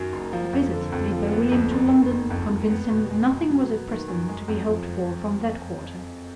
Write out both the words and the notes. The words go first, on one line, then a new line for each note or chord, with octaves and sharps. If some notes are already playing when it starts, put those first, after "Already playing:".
A visit made by William to London convinced him that nothing was at present to be hoped for from that quarter.
Already playing: F#2 D#3 F#3
F#1
F3
F2
D3
F2
F3
B3
F2
F#1
D#3
F#1
F2
F#1
B3
B2
G#3
B2
F#3
B3
D#3
F#2
G#3
F2
F3